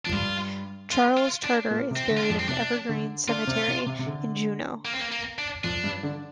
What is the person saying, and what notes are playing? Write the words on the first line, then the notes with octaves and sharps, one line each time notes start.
Charles Charter is buried in Evergreen Cemetery, in Juneau.
F3 D4
G2 G3 F4
F4
F4
D4
A#2 A#3
C3
C4
D3
F4
D4
F2 F3
C4
C3 D4
D3
D3 D4 F4
C3 C4
C3
C3
C3
D3
A#3
C4
A#3
A#3
D4
F2 F3 D4
G2 G3
D3 D4